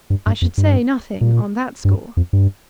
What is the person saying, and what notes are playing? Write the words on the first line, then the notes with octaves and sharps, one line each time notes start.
"I should say nothing,--on that score."
G2
G2
F2
G2
A#2
G2
F2
G2